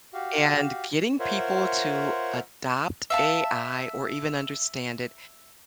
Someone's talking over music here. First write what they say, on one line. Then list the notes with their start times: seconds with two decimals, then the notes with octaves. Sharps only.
and getting people to adopt AI or even understand it
0.13 F#4 G4 F5
1.20 F4 A#4 C5 C#5 E5 F#5
3.10 E5 F5 A5